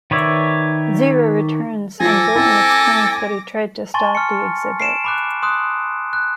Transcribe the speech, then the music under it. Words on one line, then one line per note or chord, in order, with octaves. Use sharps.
Zero returns and Burton explains that he tried to stop the exhibit.
D#3 B4 C#5 D5 E5
F3 A4 G#5 D6 A#6
C4 E4 A4
G#5 A5 C6 C#6 A6
F6 C#7
C7 D7 E7
B5 D6 F#6
C6 D#6 F#6
F#6